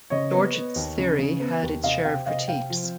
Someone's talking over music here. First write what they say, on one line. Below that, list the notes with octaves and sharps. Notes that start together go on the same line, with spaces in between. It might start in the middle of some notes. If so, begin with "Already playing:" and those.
George's theory had its share of critiques.
C#3 C#5 D#5
B3
B3
D#2
C#3
C#3
B3
D#2
C3 D#5 F5
C3 F5 G5
C3 D#5 F5
C3 F5 G5
F3